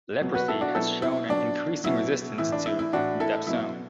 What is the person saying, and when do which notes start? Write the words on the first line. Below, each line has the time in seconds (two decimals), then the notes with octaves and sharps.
Leprosy has shown an increasing resistance to dapsone.
0.21 B2 F#3
0.34 F#4 B4
0.48 E4 A4
0.61 D4 F#4
0.75 B2 F#3 E4 A4
1.02 E4
1.29 B2 F#3 D4
1.84 B2 F#3 E4
2.38 A2 E3 E4
2.52 D4
2.66 E4
2.79 E4
2.92 A2 E3 D4 F#4
3.20 E4 A4
3.47 B2 F#3 E4